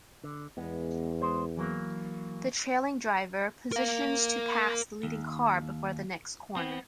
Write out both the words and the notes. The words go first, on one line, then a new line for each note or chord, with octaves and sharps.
The trailing driver positions to pass the leading car before the next corner.
D3
E2 G#3 B3
G#3 C5
E3 F#3 A#3
A#4 F5
D#2
B3 C4